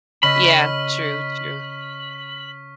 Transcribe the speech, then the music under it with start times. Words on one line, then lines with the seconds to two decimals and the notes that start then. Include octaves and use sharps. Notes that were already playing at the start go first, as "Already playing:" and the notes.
Yeah. True, true.
0.23 C#3 D#5 B5 C#6 E6 F6 B6